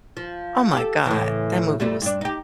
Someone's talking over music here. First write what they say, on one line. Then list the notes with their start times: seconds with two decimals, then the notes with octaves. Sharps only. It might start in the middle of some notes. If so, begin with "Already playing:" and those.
oh my god. That movie was
0.17 F3
0.73 G4 A4
1.06 A2 C#3 E3
1.80 F2 G3 A3
2.02 G2 D4
2.21 D#4 G4